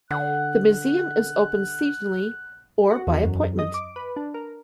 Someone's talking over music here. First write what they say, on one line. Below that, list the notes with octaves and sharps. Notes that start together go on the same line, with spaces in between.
The museum is open seasonally, or by appointment.
D3 F#5 F#6
F#4
E2
F#2
D#5
D6
B4
D4
A#4